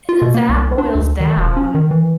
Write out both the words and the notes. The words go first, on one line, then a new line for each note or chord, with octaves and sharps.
eh, that boils down
F4
B2
A#3
C2
D4
D2
D#3
E1
C#4
D#3
E3